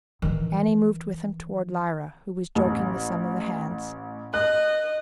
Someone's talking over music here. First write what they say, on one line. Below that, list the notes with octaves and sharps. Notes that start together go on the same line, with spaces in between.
Annie moved with him toward Lyra, who was joking with some of the hands.
D#3 E3
A1
D#5 F#6